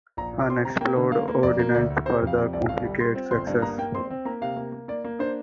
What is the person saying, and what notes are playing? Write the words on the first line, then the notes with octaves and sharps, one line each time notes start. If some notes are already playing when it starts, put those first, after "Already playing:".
Unexploded ordnance further complicates access.
A#1 A#5
A#2
D6
C4 C6
C3 A#5
A#3 G5
D3
A#3 F5
A#3
F2 D5
A#3
D2 D5
D2
C3 C5
F2
F5
C3 D5
C2 D5
G1 F5
G3
F4 C6
C4
G1 C6
G2
A#3 A#5
A#3 G5
C4 C6
C4
A#3 A#5
C3 F5
A#3
A#3
A#3 D5
A#3
D4 C5